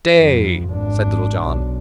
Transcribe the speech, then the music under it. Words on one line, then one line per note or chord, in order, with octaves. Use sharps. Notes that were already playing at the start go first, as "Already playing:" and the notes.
"Stay!" said Little John.
F2
G#1 D4
B1